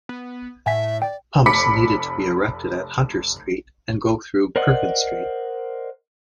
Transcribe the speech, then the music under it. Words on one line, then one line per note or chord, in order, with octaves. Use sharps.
Pumps needed to be erected at Hunter Street and go through Perkin Street.
B3
A2 E5 F#5 G#5 B6
D5 G5
F1 B5 D6 B6 C#7
A#4 C5 D5 D#5 F#5